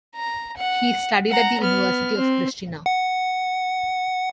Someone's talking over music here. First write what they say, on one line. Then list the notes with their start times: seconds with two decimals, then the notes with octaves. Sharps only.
He studied at the University of Prishtina.
0.16 A#5
0.57 F#5
1.29 F#5 A#5
1.61 B3 F6
2.18 C4
2.86 F#5